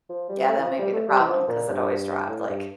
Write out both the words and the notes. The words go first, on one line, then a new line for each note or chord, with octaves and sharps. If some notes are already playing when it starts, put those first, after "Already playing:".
Yeah, that might be the problem, 'cause it always dropped, like
F3
G3
A3
E3
F3
G3
A3
G3
E3
F3
A#2
G2
A2
G2